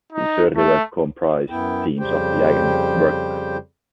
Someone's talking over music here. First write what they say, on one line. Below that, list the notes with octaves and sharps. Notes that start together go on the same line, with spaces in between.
His early work comprised themes of the agony of work.
D#4
A3
F#2 B3 E4 G5
F2 C#3 G3 G4 C5 G5